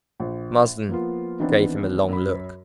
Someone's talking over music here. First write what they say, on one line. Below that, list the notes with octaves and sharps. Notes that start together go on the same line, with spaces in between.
Marsden gave him a long look.
A#1
F3 A#3 B3 F4
D#3 E3 B3 C4 D4
F#2 B5